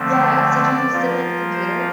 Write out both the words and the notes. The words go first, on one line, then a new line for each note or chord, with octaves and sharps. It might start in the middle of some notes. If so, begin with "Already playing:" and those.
Yeah. So do you sit at, like, a computer?
Already playing: D3 F3 A3 C4
C5
D5
F3 A#3 F4
C5